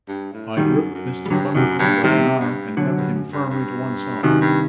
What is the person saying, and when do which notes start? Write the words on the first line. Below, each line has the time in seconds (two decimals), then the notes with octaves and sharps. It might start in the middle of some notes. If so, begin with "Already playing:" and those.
I gripped Mr. Bundercombe by the arm and led him firmly to one side.
0.08 G2
0.33 A2
0.57 F#2 D#3 G3
0.95 F#2
1.26 G3
1.30 G2 D3 F#3
1.54 F#2 C3 D#3
1.79 G2 D3 F#3
2.03 C3 D#3 G3
2.40 G2
2.77 F#2 D3 F#3
2.95 G2
3.14 F#2
3.32 G2
3.50 G2
4.23 F#2 C3 D#3
4.41 G2